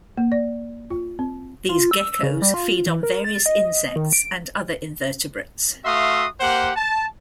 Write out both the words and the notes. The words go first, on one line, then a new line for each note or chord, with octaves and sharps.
These geckos feed on various insects and other invertebrates.
A#3
D5
F4
C4
F4
E6
C#3
G3
F4
E3
A#4
A6
D#5
D#3
D7
A3 F#4 E5 F5 C6 D#6
A#3 G4 C5 F#5
A5